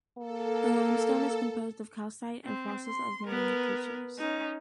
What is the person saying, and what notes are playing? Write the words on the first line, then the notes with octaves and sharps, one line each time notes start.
The limestone is composed of calcite and fossils of marine creatures.
A#3 A4
C4
C6
B3 A#4
C#4 D#4